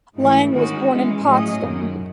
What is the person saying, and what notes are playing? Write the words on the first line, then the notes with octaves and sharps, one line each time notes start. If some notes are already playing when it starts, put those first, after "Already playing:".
Lange was born in Potsdam.
G#2 E3 A3
D#3 G#3 C#4 F#4
E3 G#3 C#4
A2 F#3 C#4 G#4 D#5
F#2 D#3 F#3